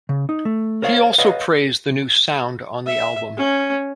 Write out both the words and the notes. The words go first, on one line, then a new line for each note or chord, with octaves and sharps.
He also praised the new sound on the album.
C#3
D#4
A3
A#4 C5 C#5 F5
B4 C#5 D#5 F5 F#5
E5
C#4